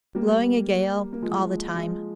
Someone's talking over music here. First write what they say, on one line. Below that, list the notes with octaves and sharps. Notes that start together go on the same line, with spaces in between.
Blowing a gale all the time.
G3 A#3
A#3
F3 G#3
F3 G#3